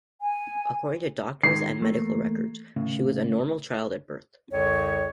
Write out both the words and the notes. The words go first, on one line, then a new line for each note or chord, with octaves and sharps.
According to doctors and medical records, she was a normal child at birth.
G#5
D#3 G#3 C7
E2 A3 A#3
D#2 A2 C#3
C2 F2 C#3 C#5